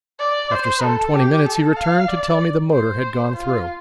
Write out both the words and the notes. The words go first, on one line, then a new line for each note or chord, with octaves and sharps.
After some twenty minutes he returned to tell me the motor had gone through.
D5
C5
A4
G4
A4
F5
D5
C5
F4